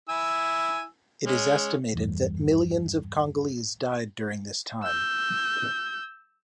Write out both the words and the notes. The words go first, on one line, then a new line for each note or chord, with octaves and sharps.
It is estimated that millions of Congolese died during this time.
E4 G#5 E6
G#3 C#4
G#1 E2 G2
E6 G6